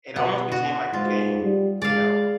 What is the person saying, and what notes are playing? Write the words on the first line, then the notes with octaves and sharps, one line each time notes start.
It almost became like a game, you know?
B2 B3
F#4
G#2 F4
G3
G#3 D5 F5